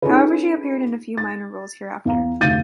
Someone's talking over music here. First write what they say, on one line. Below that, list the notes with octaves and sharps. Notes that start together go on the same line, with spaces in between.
However she appeared in few minor roles hereafter.
C#4 D#4 F4 G#4 A4 B4
A6
E2 F5 A#5
F1 D2 F5 G6 A6 D#7